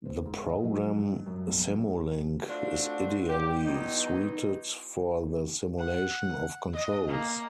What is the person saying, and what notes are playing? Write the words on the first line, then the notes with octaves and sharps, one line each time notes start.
The program Simulink is ideally suited for the simulation of controls.
C5
G#2
D#5
F#3
G2
F#2
B1
A3 C4 D4 F4 F#4
G4
E2 F#3 D#4
F#5
D#5
A#3